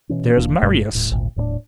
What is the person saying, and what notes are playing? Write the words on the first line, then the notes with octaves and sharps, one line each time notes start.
"There's Marius."
B2 E3 C#4
D#1 E3 A#3 D4
G1 G2 B2 A3
D#1 A2
G#1 D2 A#2
D#1 A2 G#3 D4